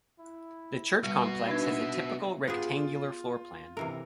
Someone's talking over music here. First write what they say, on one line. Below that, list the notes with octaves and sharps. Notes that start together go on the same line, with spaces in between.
The church complex has a typical rectangular floor plan.
E4
G3 B3 F#4
D4 D#4 B4 E5
B3 F4 G4 G#4
C3 E3 A#4